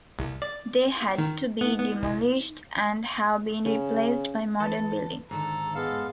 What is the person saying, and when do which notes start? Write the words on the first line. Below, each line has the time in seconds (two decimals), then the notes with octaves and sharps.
They had to be demolished, and have been replaced by modern buildings.
0.19 C2
0.42 D5
1.18 D#3
1.61 B3
1.79 B3
2.03 C2
3.65 C#3
4.60 E3 A4 B4
5.31 G#2 D3 D#3 D4 A4 A#5
5.75 G#3 B3 A4 F5